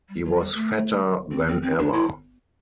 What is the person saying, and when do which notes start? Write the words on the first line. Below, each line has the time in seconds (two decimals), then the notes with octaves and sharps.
He was fatter than ever.
0.09 G3
0.24 F#3
0.40 G3
0.54 A3
1.31 C4
1.47 C4
1.62 C4
1.78 D4
1.93 E4